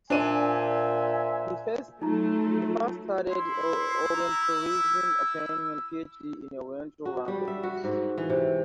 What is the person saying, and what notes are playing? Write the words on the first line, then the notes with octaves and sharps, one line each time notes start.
So, he first studied Orientalism; obtaining a PhD in Oriental Languages.
A#2 D4 C5 E5 G#5 D#7
F#3 A3 D#4 F4 A#5
E4 C6
A#5
E6
F#4
G3
E5
F#4
G#2
E3
C3